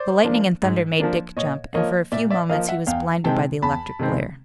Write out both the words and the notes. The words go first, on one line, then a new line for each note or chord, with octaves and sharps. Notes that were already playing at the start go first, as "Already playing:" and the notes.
The lightning and thunder made Dick jump, and for a few moments he was blinded by the electric glare.
Already playing: C5 D5
F3 A#3 D4
G#2
F3 A#3 D4
A#2 C#5 D#5
F3 A#3 C#5 D#5
A#2 D5 E5
D5 E5
F3 A#3 D#5 F5
E5 F#5
E2 F5 G5
C3 D#3 G#3 C4 G5 A5
E2 A5 B5
C3 D#3 G#3 C4